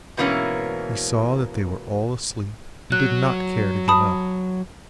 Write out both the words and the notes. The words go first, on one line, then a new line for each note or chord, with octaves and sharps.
He saw that they were all asleep, and did not care to get up.
G#2 B2 E3 A#3 C#4
F#3 F#6
A5 B5 D#6